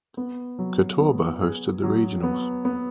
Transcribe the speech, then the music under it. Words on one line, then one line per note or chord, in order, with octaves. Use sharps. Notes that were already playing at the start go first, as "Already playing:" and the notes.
Catawba hosted the Regionals.
B3
F#3
B3
G#4
F#3
B3
B3